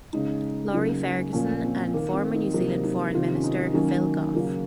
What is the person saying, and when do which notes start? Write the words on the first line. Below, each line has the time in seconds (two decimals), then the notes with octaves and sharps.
Laurie Ferguson and former New Zealand Foreign Minister Phil Goff.
0.13 C#3 G#3 D#4
0.73 C#3 F#3 A#3 D#4
1.03 C#4
1.33 A#2 F3 A#3 C#4
1.64 C4
1.94 D#3 A#3
2.13 C4
2.34 D#4
2.54 C3 F#3 A#3 D#4
2.84 D#4
3.14 C3 D#3 A#3 F4
3.35 C#4
3.44 D#4
3.74 D#3 F#3 A#3 C#4
4.35 C#3 F#3 A#3